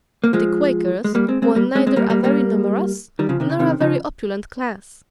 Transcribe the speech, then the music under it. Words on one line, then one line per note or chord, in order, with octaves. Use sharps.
The Quakers were neither a very numerous nor a very opulent class.
A#3
F3 G#3
G#3
G3 A#3
G#3 C4
G#3 C4
G3 A#3
G#3 C4
G#3 C4
G3 A#3
G3 A#3
G3 A#3
D#3 G3
C#3 F3
C3 D#3
C#3
C3 D#3
C#3 F3